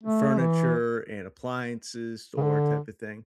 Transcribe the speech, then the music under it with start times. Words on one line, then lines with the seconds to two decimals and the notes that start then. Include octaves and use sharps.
furniture and appliances or type of thing,
0.03 A3
0.38 E3
2.37 C#3
2.42 D3